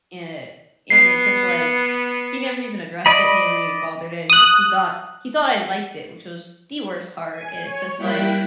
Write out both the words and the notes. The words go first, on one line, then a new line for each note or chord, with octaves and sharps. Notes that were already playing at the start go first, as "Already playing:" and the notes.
eh, and it's just, like, he never even addressed it, he never even bothered, and he thought he thought I liked it, which was the worst part, and it's just like
B3 C7
D5 D#5 B5
D#6 F#6
G#5 G#6
C#5
G3 A#3 E4 G5 F#6 B6